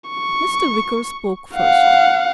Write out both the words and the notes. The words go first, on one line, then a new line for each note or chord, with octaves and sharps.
Mr. Wicker spoke first.
C#6
F5 F#5